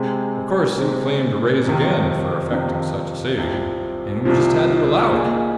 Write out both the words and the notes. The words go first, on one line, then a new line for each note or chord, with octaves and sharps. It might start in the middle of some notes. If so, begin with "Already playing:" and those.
Of course he claimed a raise again for effecting such a saving, and we just had to allow it.
Already playing: C3 G#3 C4 G#4
C3 G#3 C4 G#4
F2 C3 D#3
F2 C3 D#3
C2 C3 F3
C2 C3 F3
A#2 A#3 D#4 G#4